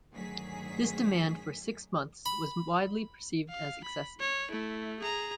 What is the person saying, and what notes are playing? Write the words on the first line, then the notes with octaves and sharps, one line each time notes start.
This demand for six months was widely perceived as excessive.
G1 D2 D#3 F#3 G#4 B6
B5
F5
B5
C#5
A3 E4
G#4 A#5